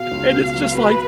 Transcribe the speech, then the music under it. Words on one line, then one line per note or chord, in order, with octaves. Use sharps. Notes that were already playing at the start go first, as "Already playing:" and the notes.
and it's just, like,
Already playing: B2 F5
C#2
B2
F#3
B2 B4